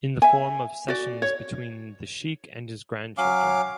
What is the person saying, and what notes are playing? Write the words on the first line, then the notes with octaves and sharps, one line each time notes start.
In the form of sessions between the Sheikh and his grandchildren.
E5 G#5
F#4 D5
C#5
F#3 C#4 F5 D6